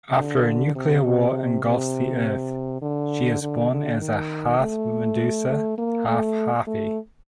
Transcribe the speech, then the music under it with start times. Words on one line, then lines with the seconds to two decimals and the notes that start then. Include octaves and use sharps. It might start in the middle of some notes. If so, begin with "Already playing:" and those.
After a nuclear war engulfs the earth, she is born as a half-medusa half-harpy.
0.16 D3
0.75 C3
1.04 C3
1.63 C3
2.82 D3
3.42 D3
3.72 D3
4.01 D#3
4.59 A3
5.49 A3
5.78 A#3
6.08 A3
6.67 A3